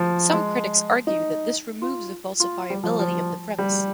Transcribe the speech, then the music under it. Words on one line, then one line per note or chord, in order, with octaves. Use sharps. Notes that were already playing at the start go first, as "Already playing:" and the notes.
Some critics argue that this removes the falsifiability of the premise.
Already playing: F3
G#3
D#4
F4
F4
G3
F3
F3
G3